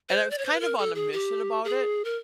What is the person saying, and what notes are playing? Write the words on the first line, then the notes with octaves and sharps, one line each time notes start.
And I was kind of on a mission about it,
C5
D5
C#5
C5
B4
A#4
A4
G#4
G4
G#4
A#4